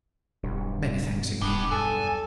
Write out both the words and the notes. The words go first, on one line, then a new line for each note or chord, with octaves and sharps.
Many thanks again.
D1 B1 G2
D1 G3 B3 D4
E2 A4 G#5